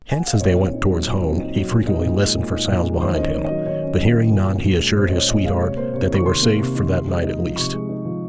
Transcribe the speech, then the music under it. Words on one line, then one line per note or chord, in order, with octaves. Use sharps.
Hence, as they went towards home, he frequently listened for sounds behind him, but hearing none he assured his sweetheart that they were safe for that night at least.
G#5
F#5
F5
D#5
A#2 C#5
C4
D#4
F#3
A#2
C4
D#4
F#3
A#2
D#4
A#2
G#3
A#2
D#4
A#2
G#3
D#3 C5
C#4 D#5
C#5
D#3
D#5
F#3
D#3 C#5
C#4
D#3
F#3
A#2
C#4
A#2
G#3
A#2 C5
D#5
C#4 C#5
A#2 D#5
G#3 F5
C3 C#5
A#3 C5
C3 C#5
D#3 C#6
C3 C6
A#3
C3
D#3
C3
G#3
D#4
F3
C3 C#6
G#3
D#4
F3